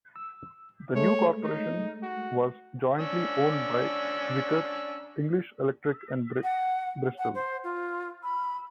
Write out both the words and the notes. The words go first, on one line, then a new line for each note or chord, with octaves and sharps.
The new corporation was jointly owned by Vickers, English Electric and Bristol.
E6
G#3 A3 C#5
D#4
F#4
C#4 D4 E6
F#5
F#5
C5
F4
B5